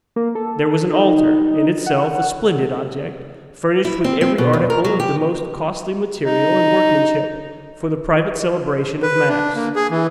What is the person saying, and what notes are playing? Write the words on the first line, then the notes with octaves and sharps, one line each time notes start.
There was an altar, in itself a splendid object, furnished with every article of the most costly material and workmanship, for the private celebration of mass.
A#3
A4
D#4
F#5
E4
C4
C4
B2
E2
A#4
F#3
G4
D#4
B4
D4
A#3
G#4
E3